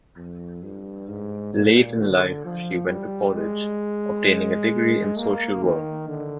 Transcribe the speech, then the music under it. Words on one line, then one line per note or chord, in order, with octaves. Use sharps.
Late in life she went to college, obtaining a degree in social work.
F2
G2
G#2
A#2
D3
F3
G3
G#3
A#3
D#3
D3